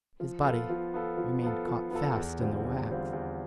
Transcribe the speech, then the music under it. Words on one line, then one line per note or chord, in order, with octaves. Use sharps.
His body remained caught fast in the wax.
F3
B3 F4 A4
F3
B3 F4 A4
F3
B3 F4 A4
F3
B3 F4 A4
E2
D3 G3 C4 F4
E2
D3 G3 C4 F4
E2